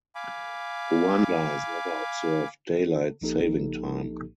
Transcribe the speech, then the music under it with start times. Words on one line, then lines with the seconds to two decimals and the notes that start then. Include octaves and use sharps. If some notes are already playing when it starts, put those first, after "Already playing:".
Rwanda has never observed daylight saving time.
0.15 F5 G#5 B5 D6
3.21 A#1 F3 A#3 D#4 G4 A4